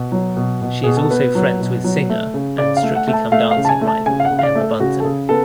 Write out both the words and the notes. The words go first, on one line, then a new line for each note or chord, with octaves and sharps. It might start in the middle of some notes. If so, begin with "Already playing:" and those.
She is also friends with singer and "Strictly Come Dancing" rival Emma Bunton.
Already playing: B2
F#3
B2
B2
B2 G#4
A4
B3 B4
F#3
B2
F#3
A3
C#3
C#3 D5
F5
A3
F#5
A3
A5
A3 F5
F5
C#3
A5
G#5
A3
A5
C#3 G#5
F5
F#5
C#3
F5
D5
A3
A4
C#3 F#4
A4
C#3 G#4
B3 A4